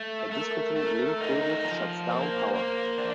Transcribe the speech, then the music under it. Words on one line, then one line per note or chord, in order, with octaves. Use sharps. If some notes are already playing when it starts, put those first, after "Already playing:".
A discontinued link pulses shuts down power.
Already playing: A3
A3 A#4
A3
D#4
F3
A#3 C5
A#3
D4